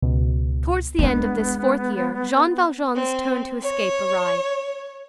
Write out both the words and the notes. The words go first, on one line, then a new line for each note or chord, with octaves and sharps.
Towards the end of this fourth year Jean Valjean's turn to escape arrived.
C#2 B2
G#3 B3 D4
C4
C#5